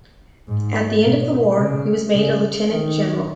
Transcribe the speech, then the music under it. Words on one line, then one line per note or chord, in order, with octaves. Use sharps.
At the end of the war he was made a Lieutenant-general.
G#2
B2
C#3
C#3
D#3